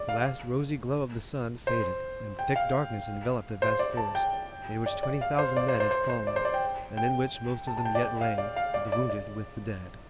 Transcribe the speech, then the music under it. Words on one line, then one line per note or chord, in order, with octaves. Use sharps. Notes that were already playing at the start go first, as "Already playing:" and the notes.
The last rosy glow of the sun faded, and thick darkness enveloped the vast forest, in which twenty thousand men had fallen, and in which most of them yet lay, the wounded with the dead.
Already playing: D5
F5
C5
G5
F5
C5
D5
A5
G5
D5
D5
F5
C5
D5
C5
C5
C5
C5
D5
C5
D5
G5
G5
A5
A5
G5
D5
G5
F5
D5
F5
D5
D5
D5